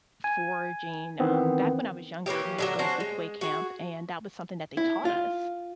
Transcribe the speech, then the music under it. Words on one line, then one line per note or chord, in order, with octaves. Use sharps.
foraging. Um, back when I was younger, we used to go to sleepaway camp, and that was something that they taught us.
G#5
D#3 E3 B3 C4
E3 A#3 C#4 G4
D3 F3 F#3
C#4 D4 F#4 C5
G#3
F#4 G#4
E4
F4